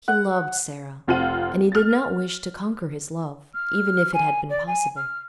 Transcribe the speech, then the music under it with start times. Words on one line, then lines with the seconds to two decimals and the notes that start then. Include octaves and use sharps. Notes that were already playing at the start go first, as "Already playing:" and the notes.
He loved Sara--and he did not wish to conquer his love, even if it had been possible.
0.08 F#5
1.07 F1 C4 F4 F5 F#5 D#7
1.72 F6 A6
3.54 F6
4.14 G#5
4.50 D5
4.67 G#5
4.96 F6